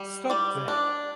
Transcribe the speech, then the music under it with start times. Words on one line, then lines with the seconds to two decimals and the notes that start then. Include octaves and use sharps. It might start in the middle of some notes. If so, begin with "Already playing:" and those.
Stop that!
Already playing: G3
0.30 G3 D5
0.68 D4